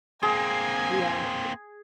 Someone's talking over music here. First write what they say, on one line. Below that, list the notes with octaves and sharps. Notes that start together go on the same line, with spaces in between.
We all need it.
A#3 C4 G#4 G#5